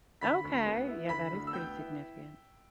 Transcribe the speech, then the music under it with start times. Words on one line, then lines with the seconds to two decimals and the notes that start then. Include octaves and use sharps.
Okay, yeah, that is pretty significant.
0.21 D3 B5 B6
0.44 D2
0.66 B3
0.88 E4
1.09 D3 B5 B6
1.32 D2
1.47 E6
1.53 B3 G5 G6
1.76 E4